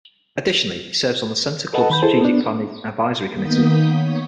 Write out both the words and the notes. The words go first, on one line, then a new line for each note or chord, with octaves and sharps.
Additionally, he serves on The Center Club Strategic Planning Advisory Committee.
A4 B4 D#5 F#5 A5
D#3 B5 G6
E4 G#4 A4 C5 A5
B3 D4
D#3 A#3 B3 D#6 G6 B6
C#5